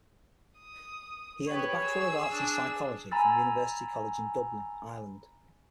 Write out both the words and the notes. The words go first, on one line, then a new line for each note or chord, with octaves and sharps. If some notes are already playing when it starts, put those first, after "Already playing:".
He earned a Bachelor of Arts in psychology from University College in Dublin, Ireland.
D#6
G4 B4 C#5
G#4 E6
D4
G#5 A#5 B5 E6 A6